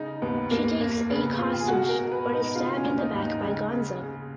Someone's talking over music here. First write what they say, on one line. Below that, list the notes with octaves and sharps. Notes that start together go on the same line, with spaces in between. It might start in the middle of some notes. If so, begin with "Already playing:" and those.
She takes Ake hostage but is stabbed in the back by Gonzo.
Already playing: C#3 D#4
D#2 B3
D#2 A#3
F1 A#3
C#3 B3
C#3 F4
G#4
B2 F#4
A#4
B2
B4
B2
D#4
C#3 F4
C#4
D#2
D#4
D#2
D#4
C#3
C#3
C#3